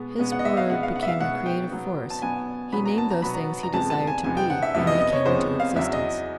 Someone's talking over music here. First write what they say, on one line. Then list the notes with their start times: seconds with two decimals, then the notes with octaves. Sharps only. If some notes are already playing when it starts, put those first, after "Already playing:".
His word became the creative force; he named those things he desired to be, and they came into existence.
Already playing: B2 G#3 B3
0.19 B2 G#3 B3
0.32 F#5
0.39 D#5
0.45 E5
0.57 F5
0.70 B2 G#3 B3 F#5
0.83 F5
0.96 F#5
1.03 E5
1.08 F5
1.21 B2 G#3 B3 F#5
1.46 G5
1.71 B2 F#3 B3
2.10 A5
2.22 B2 F#3 B3 G#5
2.73 B2 F#3 B3 B5
2.86 A#5
2.98 A5
3.10 A#5
3.22 B2 F#3 B3 B5
3.34 A#5
3.63 A#5
3.73 F2 C3 F3 G#3 B3 A5
3.90 A5
4.07 G#5
4.24 F2 C3 F3 G#3 B3 G#5
4.37 G5
4.50 F#5
4.62 E5
4.75 F2 C3 F3 G#3 B3 E5
4.87 D#5
5.00 D#5
5.13 C#5
5.25 F2 C3 F3 G#3 B3 C5
5.60 F5
5.76 E2 C#3 F#3 E5
5.93 D#5